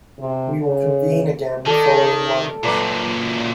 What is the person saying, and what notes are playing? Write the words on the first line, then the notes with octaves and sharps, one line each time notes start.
We will convene again following lunch.
C3
C#3
D#3 A4 D5
F#2 A#2 B4 D5 A#5